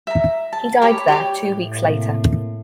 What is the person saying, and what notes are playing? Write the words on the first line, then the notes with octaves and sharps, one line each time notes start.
He died there two weeks later.
E5 A#5
A5
G4 C#5 A#5 B5
G4 C#5 D5
A2
C3 A#3